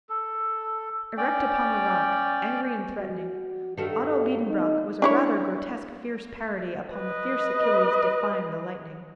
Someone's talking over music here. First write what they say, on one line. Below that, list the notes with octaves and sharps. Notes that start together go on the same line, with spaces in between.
Erect upon the rock, angry and threatening, Otto Liedenbrock was a rather grotesque fierce parody upon the fierce Achilles defying the lightning.
A4
C#4 D5 G5
F#4
G2 D#3 F#4 A4
D#4
D4 E4 C#5
B4 D#5